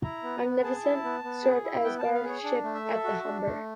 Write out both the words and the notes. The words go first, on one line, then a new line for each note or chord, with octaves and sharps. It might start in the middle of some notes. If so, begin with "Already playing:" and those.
"Magnificent" served as guard ship at the Humber.
E4 A#5
B3
B3
G#4 A5
E4
B3
B3
G#4
E4
B3 G5
A5
B3
F5
G#4
C#5
D4
A3
E5
A4
F#4
D4
A3